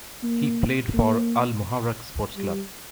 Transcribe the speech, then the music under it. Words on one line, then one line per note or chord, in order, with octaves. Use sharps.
He played for Al-Muharraq Sports Club.
A#3
A#3
G3